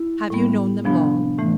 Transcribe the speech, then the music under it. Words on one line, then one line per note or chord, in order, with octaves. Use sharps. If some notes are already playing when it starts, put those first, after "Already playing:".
"Have you known them long?"
Already playing: E4
A2 G3 B3
C3 F3 B3 D4
A2 E3 A3